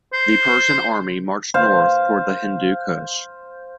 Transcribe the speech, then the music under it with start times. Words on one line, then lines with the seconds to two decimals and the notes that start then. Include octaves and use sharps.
The Persian army marched north toward the Hindu Kush.
0.13 C5
1.54 C5 F5